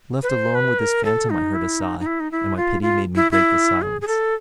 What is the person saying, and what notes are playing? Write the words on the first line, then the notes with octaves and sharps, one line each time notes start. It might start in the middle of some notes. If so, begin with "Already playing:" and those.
Left alone with this phantom I heard a sigh, and my pity made me break the silence.
B4
C5
B4
A#4
A4
D#4
E4
D#4
D#4
E4
D#4
E4
F4
F4
E4
E4
G#4
G#4
A4